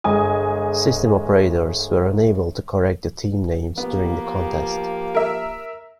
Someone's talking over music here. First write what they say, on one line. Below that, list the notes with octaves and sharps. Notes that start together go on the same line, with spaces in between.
System operators were unable to correct the team names during the contest.
G1 G#3 D#5 G#5 D#6
F3 A#3 B3 G4
A#4 E5